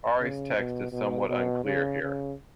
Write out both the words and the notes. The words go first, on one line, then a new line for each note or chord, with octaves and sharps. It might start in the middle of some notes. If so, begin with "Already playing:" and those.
Ari's text is somewhat unclear here.
C#3
B2
B2
B2
C#3
C#3